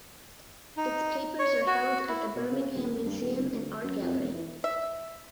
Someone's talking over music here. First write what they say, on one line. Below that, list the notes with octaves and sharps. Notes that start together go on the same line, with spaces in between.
Its papers are held at the Birmingham Museum and Art Gallery.
D#4
C#5
F#4
E4
B2
C#3
D#1
G#1
G2
D#1
G1
D2
F#2
F2
E1
E3
E5